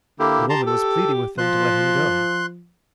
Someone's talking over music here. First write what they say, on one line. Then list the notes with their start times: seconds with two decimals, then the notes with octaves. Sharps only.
The woman was pleading with them to let him go.
0.19 D3 A#3 E4 G4
0.50 G4 A5 A#5 C6
0.66 A4
1.38 F3 C6 F#6